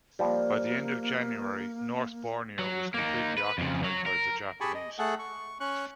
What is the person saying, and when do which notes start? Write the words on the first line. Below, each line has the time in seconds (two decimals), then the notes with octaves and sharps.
By the end of January, North Borneo was completely occupied by the Japanese.
0.19 F3 G3 A#3
2.59 F#3
2.94 A#3 D#4
3.38 B4
3.58 F2 C#3
3.84 F#3
4.06 A#4
4.61 G4 G#4 G#5 A5 B5 C#6
4.75 D#5
4.99 A3 G#4 A4 F#5
5.19 C#6
5.60 C#4 C#6 F#6